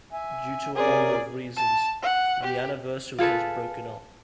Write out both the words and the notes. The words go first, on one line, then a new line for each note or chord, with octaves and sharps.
Due to a number of reasons, The Anniversary has broken up.
E5 G#5
C3 C#4 G#4 A#4 D5
A5
F#5
G4
F4 G#4 A4 B4